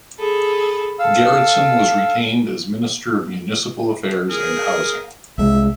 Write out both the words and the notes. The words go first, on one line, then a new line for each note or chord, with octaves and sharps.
Gerretsen was retained as Minister of Municipal Affairs and Housing.
G#4 A4 B5
A4 F5 E6
G#4 A#4
C2 G#3 E5